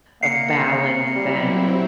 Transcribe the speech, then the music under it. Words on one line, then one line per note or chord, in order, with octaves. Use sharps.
of balance and
A#3 C7 C#7
F#3 G3 C4 E4